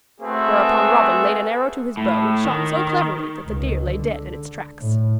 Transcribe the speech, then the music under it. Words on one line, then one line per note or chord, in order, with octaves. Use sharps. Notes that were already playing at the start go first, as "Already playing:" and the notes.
Whereupon Robin laid an arrow to his bow and shot so cleverly that the deer lay dead in its tracks.
A3 C4 F#4 G#4 B4 E5
A2
D#3
C#2
D3
A2